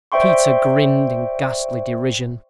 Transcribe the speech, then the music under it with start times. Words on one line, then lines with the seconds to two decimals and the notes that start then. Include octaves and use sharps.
Peter grinned in ghastly derision.
0.12 C5 D5 E5 G5 C6 C#6